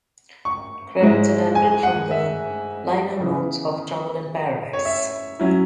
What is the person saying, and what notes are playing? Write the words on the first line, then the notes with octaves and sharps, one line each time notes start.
Credits adapted from the liner notes of "Trouble in Paradise".
C#6
G#2 G#3 E4
G#5
F#5
E5
C#3 E3 B3
C#5
E5
F#3 C#4 E4